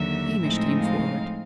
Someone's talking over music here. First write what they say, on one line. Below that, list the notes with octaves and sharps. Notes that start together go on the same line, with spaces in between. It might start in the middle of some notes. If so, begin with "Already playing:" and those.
Hamish came forward.
Already playing: D#2 D3 F#3 E5
A2 F3 G#3 C4 D#4
F5